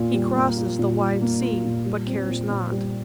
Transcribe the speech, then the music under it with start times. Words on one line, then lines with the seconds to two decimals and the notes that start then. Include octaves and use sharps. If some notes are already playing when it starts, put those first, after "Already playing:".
He crosses the wide sea, but cares not.
Already playing: A#2 A#3 F4
0.14 G3
0.36 A#3
0.57 F4
0.79 A#2
1.00 G3
1.21 A#3
1.43 F4
1.65 A#2
1.85 G3
2.06 C4
2.29 A#2
2.50 A#2
2.72 G3